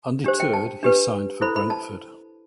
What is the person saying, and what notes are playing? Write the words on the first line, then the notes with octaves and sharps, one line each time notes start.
Undeterred, he signed for Brentford.
D4 G4 C5
G5
A5
D4 G4 B4
E4 A4 C5 B5
B5
A5